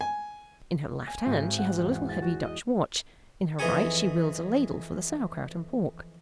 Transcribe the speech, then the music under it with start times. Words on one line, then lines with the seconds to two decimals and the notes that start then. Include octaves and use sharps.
In her left hand she has a little heavy Dutch watch; in her right she wields a ladle for the sauerkraut and pork.
0.01 G#5
1.07 G#5
1.26 G#1
1.58 F#5
1.78 E2
2.09 A6
2.22 F#4
2.44 D#5
3.59 F2 E3 D#4 G#4 G#5 C#6